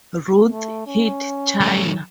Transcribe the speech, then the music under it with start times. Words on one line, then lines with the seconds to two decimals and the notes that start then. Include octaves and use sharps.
Ruth hit China.
0.50 A3
0.87 C#4
1.60 F#3 A3